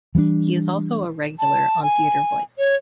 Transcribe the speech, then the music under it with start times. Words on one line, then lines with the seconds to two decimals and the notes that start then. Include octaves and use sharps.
He is also a regular on "TheatreVoice".
0.15 E3 G3 A#3 D4
1.38 A5
1.83 G#5
2.58 C#5